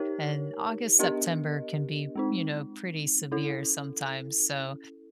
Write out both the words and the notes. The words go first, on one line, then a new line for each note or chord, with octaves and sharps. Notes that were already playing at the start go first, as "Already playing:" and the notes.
and August, September can be, you know, pretty severe sometimes, so,
Already playing: D#4 G4 A#4 C#5
B3 D4 G4 A#4 D#5
G#3 C4 D#4
C#4 E4 A4